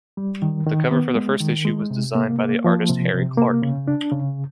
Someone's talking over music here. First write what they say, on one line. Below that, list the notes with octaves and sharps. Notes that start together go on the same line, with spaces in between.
The cover for the first issue was designed by the artist Harry Clarke.
G3
D#3
D#3
B3
G#3
D#3
G#3
C3
A#3
A#3
F3
C3
C3
A#3
C#3
D4
C#3